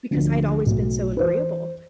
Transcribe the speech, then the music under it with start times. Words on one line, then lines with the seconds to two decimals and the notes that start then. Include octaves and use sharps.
because I'd always been so agreeable.
0.11 D2 D3 F3
0.66 B1 B2 A3
1.17 B4
1.20 E3 C5